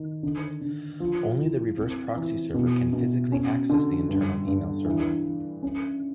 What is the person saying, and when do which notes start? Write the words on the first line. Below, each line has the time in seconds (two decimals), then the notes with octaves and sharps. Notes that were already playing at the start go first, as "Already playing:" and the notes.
Only the reverse proxy server can physically access the internal email server.
Already playing: D#3
0.23 D3
0.61 D3
1.00 F3
1.38 E4
1.77 C4
2.16 E3
2.54 B2
2.93 B2
3.32 C#4
3.69 D3
4.09 G2
4.47 G2
4.85 E3
5.25 E3
5.63 C#4